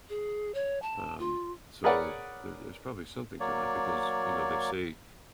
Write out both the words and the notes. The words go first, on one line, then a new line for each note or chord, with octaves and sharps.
Um, so there there's probably something to that because, you know, they say,
G#4
C#5
A5
F4
G#4 A#4 B4 C#5 D5 F#5
F#3 A#3 C#5 D5